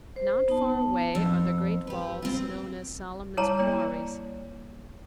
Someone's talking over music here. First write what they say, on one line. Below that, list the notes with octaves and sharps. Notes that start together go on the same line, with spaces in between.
Not far away are the great vaults known as Solomon's Quarries.
C5
B3 D#4 A5
F2 E6
G4 B4
C4 F4
G3 E4 C#5 A5 A#5
A#3 D5